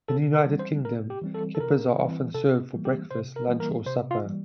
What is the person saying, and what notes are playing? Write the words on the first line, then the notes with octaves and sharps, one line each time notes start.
In the United Kingdom, kippers are often served for breakfast, lunch or supper.
C3 A4
A#4
E3 G3 C4
C5
C3 A#4
G4
E3 G3 C4
A4
A4
C3 A#4
E3 G3 C4
C3 A4
E3 G3 A#3
G4
C3 C5
A#4
E3 G3 A#3
A#4
C3 C5
F4
E3 G3 A#3